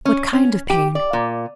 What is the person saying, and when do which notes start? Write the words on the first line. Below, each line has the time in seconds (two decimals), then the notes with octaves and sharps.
What kind of pain?
0.05 C#4
0.33 C#4
0.70 G4
0.95 D5
1.13 A#2